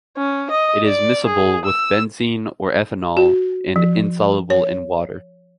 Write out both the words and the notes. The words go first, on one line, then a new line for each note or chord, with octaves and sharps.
It is miscible with benzene or ethanol and insoluble in water.
C#4
D#5
D5
G#4
E6
F#4
F3
C#5